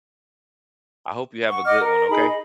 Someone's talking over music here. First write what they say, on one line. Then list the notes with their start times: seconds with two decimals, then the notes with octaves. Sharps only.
I hope you have a good one, okay?
1.50 F#5 C#6
1.66 D#5 F#5 D6 F6
1.81 A#4
2.09 D#4 G#4 B5
2.28 D#5